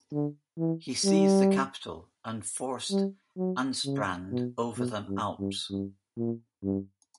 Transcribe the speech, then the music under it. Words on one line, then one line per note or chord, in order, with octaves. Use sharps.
He seized the capital and forced Ansprand over the Alps.
D3
E3
G3
G3
F#3
C#3
B2
B2
G2
G2
G2
A#2
G2